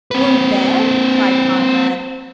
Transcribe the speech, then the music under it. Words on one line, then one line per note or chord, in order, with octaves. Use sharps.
"Weren't there?" cried Conrad.
C4 B4